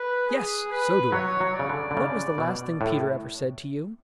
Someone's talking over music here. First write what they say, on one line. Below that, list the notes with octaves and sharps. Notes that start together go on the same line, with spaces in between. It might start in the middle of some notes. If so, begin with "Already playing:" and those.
"Yes, so do I. What was the last thing Peter ever said to you?"
Already playing: B4
G#4
B4
F#3 C#5
F#3
C#3 D5
D3
D3
C#3
B2
A2